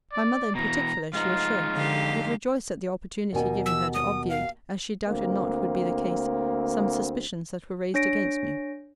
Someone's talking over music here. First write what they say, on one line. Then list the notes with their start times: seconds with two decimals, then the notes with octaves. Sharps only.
My mother in particular, she was sure, would rejoice at the opportunity given her to obviate, as she doubted not would be the case, some suspicions that were raised against me.
0.13 D5
0.55 B2 E3 A#5
1.13 F2 G#3 D#4 F4
1.74 D3 G4 F5
3.33 D#2 B2 G#5
3.66 E6
3.94 D#6
4.30 F5
5.07 D2 A#3 C4
7.94 D4 C#5 A#6 D7